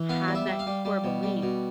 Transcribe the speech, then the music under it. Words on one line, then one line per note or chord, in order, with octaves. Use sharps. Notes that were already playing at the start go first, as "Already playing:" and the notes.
had that core belief,
Already playing: E3
B3 F5
G3
E5
G3
F5
G3
G3
B2
G3
B2